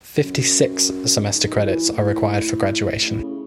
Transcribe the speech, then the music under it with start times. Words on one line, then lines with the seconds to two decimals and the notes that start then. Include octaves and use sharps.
Fifty-six semester credits are required for graduation.
0.22 F#2
1.34 G#2
1.54 F#3
1.62 E3
1.90 A2
3.03 A2
3.20 C#3